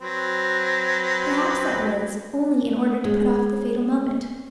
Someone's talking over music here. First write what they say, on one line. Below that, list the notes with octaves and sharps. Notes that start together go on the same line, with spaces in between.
"Perhaps that was only in order to put off the fatal moment."
F#3 C4 B4
G#3